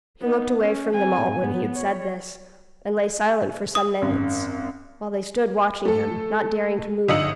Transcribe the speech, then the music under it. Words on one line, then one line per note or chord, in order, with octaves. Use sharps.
He looked away from them all when he had said this, and lay silent for some minutes, while they stood watching him, not daring to move.
B3 D#4
C#4
C4 G#5
B3
C#5
D#6
G#1 F#2
A3 A4
G1 D#4 D#5 E6 C#7 F#7